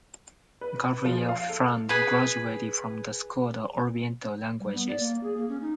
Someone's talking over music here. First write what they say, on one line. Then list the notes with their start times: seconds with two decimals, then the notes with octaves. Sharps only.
Gabriel Ferrand graduated from the School of Oriental Languages.
0.61 B4
1.05 F3
1.29 F5
1.49 A4
1.89 G#4 B4
4.60 G3
4.74 B3
4.89 D5
5.00 A#3
5.23 G#4
5.37 A#3
5.49 C#4
5.62 D#4